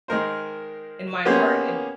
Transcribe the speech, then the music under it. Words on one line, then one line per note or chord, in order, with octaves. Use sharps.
in my heart and
D#3 G#3 A#4 C5
A#3 B3 C#4 G4 G#4 C5